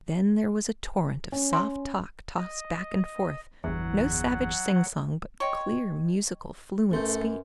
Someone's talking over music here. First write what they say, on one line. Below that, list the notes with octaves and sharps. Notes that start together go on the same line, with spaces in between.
Then there was a torrent of soft talk tossed back and forth; no savage sing-song, but clear musical fluent speech.
C#4
C6
D#5
G1 E2 F#3 F#5
C#5 D#5 G5 C6
F#2 A3 B4 C6 G6